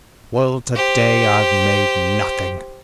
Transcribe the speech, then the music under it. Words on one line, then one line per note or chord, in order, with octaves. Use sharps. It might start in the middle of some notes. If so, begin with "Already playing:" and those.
Well, to-day I've made nothing.
G4 C5